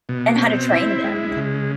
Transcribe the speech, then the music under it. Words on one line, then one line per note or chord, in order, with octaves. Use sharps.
And how to train them.
B2
C4
E4
G#3
C#3